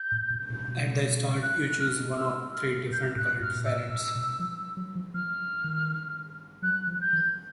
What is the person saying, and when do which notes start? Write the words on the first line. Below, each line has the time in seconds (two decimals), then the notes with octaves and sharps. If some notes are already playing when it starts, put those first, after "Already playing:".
At the start you choose one of three different coloured ferrets.
Already playing: G6
0.12 A2
0.30 A#2
0.50 B2
0.68 B2
1.42 F#6
1.69 F#6
1.80 F6
2.17 E6
2.54 F6
2.91 B2 G6
3.16 A2 F#6
3.40 G#2 F6
3.56 A#2
3.65 A2 E6
3.90 A#2
4.16 B2
4.40 F3
4.77 F#3
4.95 F3
5.14 F3 F6
5.64 D#3
6.62 F#3 F#6
6.88 F3
7.01 G6
7.13 E3